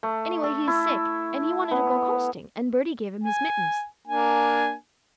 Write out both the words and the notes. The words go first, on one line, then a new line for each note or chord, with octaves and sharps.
Anyway, he is sick, and he wanted to go coasting, and Bertie gave him his mittens.
A3
A4
E4
B3
G#5
A#3 D4 G#5